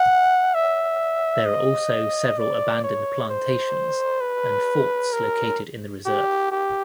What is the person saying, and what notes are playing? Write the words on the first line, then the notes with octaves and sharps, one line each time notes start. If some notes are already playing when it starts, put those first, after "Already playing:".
There are also several abandoned plantations and forts located in the reserve.
Already playing: F#5
E5
D#5
D5
C#5
C5
B4
A#4
G4
G4